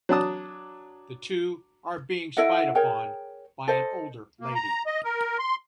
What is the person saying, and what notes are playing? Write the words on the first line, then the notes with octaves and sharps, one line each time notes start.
The two are being spied upon by an older lady.
F#3 D4 A5 D#6
E4 A4 D#5 F#5
G#4 A#4 C#5 G5
A4 C5 D#5
A#3
A#5
D#5
A#4
C6